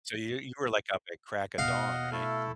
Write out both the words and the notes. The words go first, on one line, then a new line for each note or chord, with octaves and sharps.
So, you you were like up at the crack of dawn, right?
B2 D#5 F5 F#5 F6
A3 E4 A4